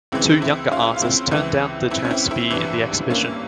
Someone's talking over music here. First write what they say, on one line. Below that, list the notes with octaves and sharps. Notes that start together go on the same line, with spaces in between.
Two younger artists turned down the chance to be in the exhibition.
C#2 C#3 E3 C4 E4
C4 E4
C#4 F4
F4
C4 E4
C#2 C#3 E3
C4 E4
C#4
C4 E4
C4 E4
G#1 G2 E3
A#3 C#4